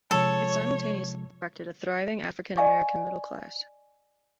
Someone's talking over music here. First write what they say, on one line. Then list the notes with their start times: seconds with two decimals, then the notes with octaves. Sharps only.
It simultaneously attracted a thriving African-American middle-class.
0.11 C3 F3 G#3 A4 C#5
2.57 D5 D#5 F5 G#5 C#6